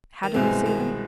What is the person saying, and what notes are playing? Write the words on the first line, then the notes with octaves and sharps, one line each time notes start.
How did we see them?
D#3
C2 B2 E3 G#3 C4
D#3